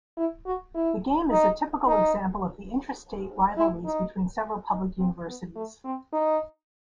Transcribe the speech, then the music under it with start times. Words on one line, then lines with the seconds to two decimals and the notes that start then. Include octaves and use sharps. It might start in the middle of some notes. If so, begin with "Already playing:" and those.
The game is a typical example of the intrastate rivalries between several public universities.
0.17 E4
0.46 F#4
0.74 E4
1.31 D#4
1.87 D#4
3.57 E4
3.86 D#4
4.71 D#4
4.98 C4
5.27 B3
5.56 A3
5.84 C4
6.12 D#4